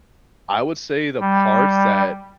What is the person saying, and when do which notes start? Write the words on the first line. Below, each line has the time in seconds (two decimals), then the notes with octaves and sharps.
I would say the parts that,
1.20 G3